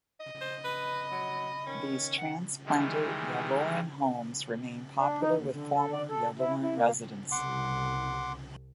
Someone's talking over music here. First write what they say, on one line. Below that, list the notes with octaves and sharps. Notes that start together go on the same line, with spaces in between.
These transplanted Yallourn homes remain popular with former Yallourn residents.
D#5
C5
B4 B5
F#3
D#3 C#4
F#5
D#3 E3 G3 G#3
D4
D#4
D#2
D3
A4
D5
A4
E4
E4
A#3
C2 F#5 C6 D6